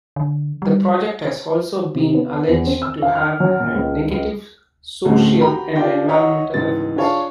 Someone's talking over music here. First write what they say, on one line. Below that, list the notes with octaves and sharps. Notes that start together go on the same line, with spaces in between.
The project has also been alleged to have had negative social and environmental effects.
D3
G3
C3
B3
E2
C4
E6
F5
F6
F#3
A#2
C#2
C#2
D2 A2 G#3 A3 C4 C#4
F#4 G4 G5 A#5 B5
D4 F4 G4 D5 G5
D#4 C#5 D#5 E5 F#5 A#5
C#2 G#2 E3 A6
D4 F4 G#4 C#5 F5 A5